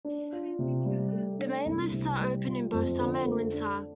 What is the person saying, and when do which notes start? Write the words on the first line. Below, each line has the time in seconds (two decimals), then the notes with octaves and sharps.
The main lifts are open in both summer and winter.
0.05 D4
0.33 F4
0.59 C3
0.85 G3
1.12 A3
1.38 D4
1.66 C2
1.92 C3
2.20 G3
2.47 F4
2.73 F2
2.99 D3
3.26 A3
3.53 D4